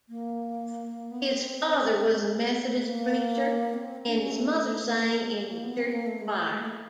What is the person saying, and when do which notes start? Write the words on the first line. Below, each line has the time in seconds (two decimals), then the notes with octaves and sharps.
His father was a Methodist preacher and his mother sang in the church choir.
0.09 A#3
1.11 B3
1.32 C4
1.97 C4
2.12 G#3
2.27 G#3
2.42 A3
2.64 A3
2.86 A#3
3.74 C4
4.06 D4
4.17 C#4
4.31 A3
4.46 A3
5.48 A#3
5.63 B3
5.77 C4
5.92 A#3
6.06 A3
6.21 G#3
6.37 A3
6.51 G#3
6.58 A#3
6.65 A3